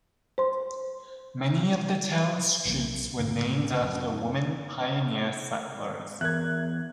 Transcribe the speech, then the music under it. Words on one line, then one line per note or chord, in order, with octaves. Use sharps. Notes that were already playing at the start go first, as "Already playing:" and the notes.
Many of the town's streets were named after women pioneer settlers.
C5 C6
B1 E3 A#3
F#1 A2 D3 G#3
F#2 B2
E2 A#4 E5 F#6 G#6